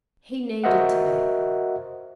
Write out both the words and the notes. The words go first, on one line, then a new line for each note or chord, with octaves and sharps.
He needed to be.
F#4 A#4 C5 D#5 E5 F#5